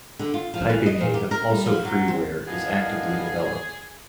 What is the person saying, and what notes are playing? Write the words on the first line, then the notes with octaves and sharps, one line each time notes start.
Typingaid, also freeware, is actively developed.
D3
F4
F3
E3
D#5
A#2
G4
A#4
G3
F3
F#3
C4
A2 D#3 B3 G#4 D5 D#5 F5